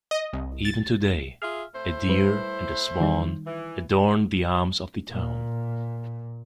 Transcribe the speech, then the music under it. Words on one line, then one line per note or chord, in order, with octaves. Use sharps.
Even today, a deer and swan adorn the arms of the town.
D#5
C2
A6
F4 G#4 E5 F6
A2 E4 C5
G3 B4
D#3 G3 D#4
E3
A#2